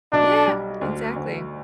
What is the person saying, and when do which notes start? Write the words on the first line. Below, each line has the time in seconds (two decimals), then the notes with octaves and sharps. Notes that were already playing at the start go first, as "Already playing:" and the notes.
Yeah. Exactly.
0.13 B1 D4
0.47 G3
0.81 D2
1.16 D2